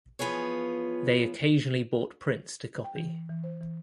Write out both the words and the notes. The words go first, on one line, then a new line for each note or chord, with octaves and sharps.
They occasionally bought prints to copy.
E3 F3 B3 F4 G#4 C#5
G5
E3
E3
C5
E3